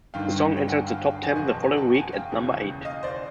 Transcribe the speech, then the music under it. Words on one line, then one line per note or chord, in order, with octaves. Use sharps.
The song entered the top ten the following week at number eight.
G1 G2 D#3 F5 G5
G5
F#5 G#5
F5 G5
F5 G5
F#1 E2 B2 F#5 G#5
F#5 G#5
G5 A5
G#5 A#5
G5 A5
F#5 G#5
F5 G5
E1 D#2 C#3 E3
D#5 F5
C5 D5